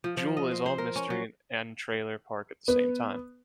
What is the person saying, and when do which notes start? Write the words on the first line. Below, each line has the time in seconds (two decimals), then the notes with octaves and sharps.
Jewel is all mystery and trailer park at the same time.
0.04 F3
0.17 F3
0.37 D#5
0.51 C5
0.66 C5
0.78 A#4
0.96 C#4
1.10 F#3
2.68 B3